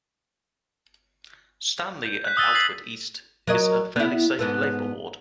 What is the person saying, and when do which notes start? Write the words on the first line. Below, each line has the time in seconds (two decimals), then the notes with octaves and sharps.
Stanley and Outwood East is a fairly safe Labour ward.
2.05 G6
2.25 F#6 B6
2.37 D#6 E6 A6 D#7
2.54 E6 G#6 A6 B6 C7 F#7
3.47 F#3 A#4 D#5
3.96 B3 E4
4.39 G#2 B3 A4